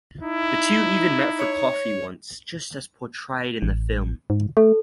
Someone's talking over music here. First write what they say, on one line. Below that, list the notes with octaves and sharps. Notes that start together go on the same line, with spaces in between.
The two even met for coffee once, just as portrayed in the film.
D#4 E4
C#5
A1
G#2
A3 A4